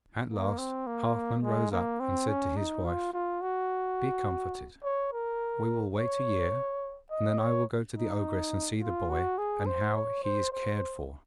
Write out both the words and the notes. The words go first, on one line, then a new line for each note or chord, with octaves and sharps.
At last Halfman rose up and said to his wife, 'Be comforted; we will wait a year, and then I will go to the ogress and see the boy, and how he is cared for.'
A#3
C4
A#3
G#3
A#3
C4
C#4
D#4
F4
F4
F#4
C#5
A#4
C#5
D#5
C#5
D#4
F4
F#4
G#4
C5
C#5
C5
C5